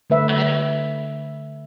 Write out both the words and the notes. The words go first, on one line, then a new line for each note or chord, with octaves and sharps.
I don't
D3 A3 B4 E5